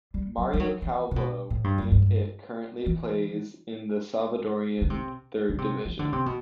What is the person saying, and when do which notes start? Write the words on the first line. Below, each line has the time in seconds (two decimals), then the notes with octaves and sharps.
Mario Calvo and it currently plays in the Salvadoran Third Division.
0.14 G3
0.37 F#3
0.53 G3
0.60 F#3
0.82 E3
1.11 C3
1.16 B2
1.50 A2
1.64 G2
1.78 F#2
1.92 G2
2.86 E3
4.81 D3
4.90 C3
5.49 D3
5.58 C3
5.85 E3
5.99 D3
6.13 C3
6.26 B2